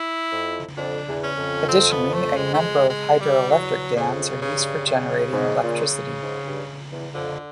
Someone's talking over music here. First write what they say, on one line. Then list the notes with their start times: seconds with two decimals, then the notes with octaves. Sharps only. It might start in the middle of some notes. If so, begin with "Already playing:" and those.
Additionally, a number of hydroelectric dams are used for generating electricity.
Already playing: E4
0.32 F2
0.77 F2 D4
1.08 E2
1.24 C#4
1.37 F2
1.68 C4
1.92 B3
2.14 A3
2.36 G#3
2.54 A3
2.59 G#3
2.90 G#3
3.20 G3
3.50 E2 F#3
3.96 F2 C#3
4.41 G2 C#3
4.87 C#3
5.32 G#2
5.63 A#2
6.23 G#2
6.46 G2
6.92 E2
7.15 F2 D3